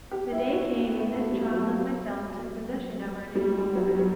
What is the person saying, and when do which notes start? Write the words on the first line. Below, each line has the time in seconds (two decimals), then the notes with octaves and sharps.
The day came when this child and myself took possession of our new home.
0.11 G4
0.32 E4
0.52 F#4
0.92 B3
1.13 A3
1.32 G3
1.53 F#3
3.35 G3
3.75 F#3
3.88 G3
3.99 F#3